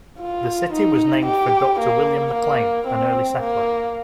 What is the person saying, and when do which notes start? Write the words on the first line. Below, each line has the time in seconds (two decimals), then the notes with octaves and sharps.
The city was named for Doctor William McLean, an early settler.
0.19 F4
0.73 D#4
1.26 G4
1.80 A#3
2.34 A#3
2.87 C4
3.41 A#3